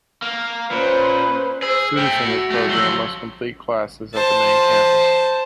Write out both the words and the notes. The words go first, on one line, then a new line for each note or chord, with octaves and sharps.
Students in this program must complete classes at the main campus.
A#3
A#2 C#4 B4 C5
G#4 C5 E6
A3 E4 G5
F#4 C#7
G#3 A3
F3 F#3 E6 F#7 G7
C5 A5